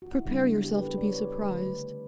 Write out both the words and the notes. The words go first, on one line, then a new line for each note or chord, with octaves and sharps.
Prepare yourself to be surprised.
F#4
E4
C#3 G3 B3 D4
D4
G4
B4
A4
D5
C#5
B4
A4
D3 A3 B4